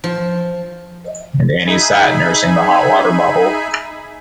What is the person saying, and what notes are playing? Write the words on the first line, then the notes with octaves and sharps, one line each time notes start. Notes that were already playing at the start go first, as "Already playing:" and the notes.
And Annie sat nursing the hot-water bottle.
F3
D#4 G#4 E5 G#5 B5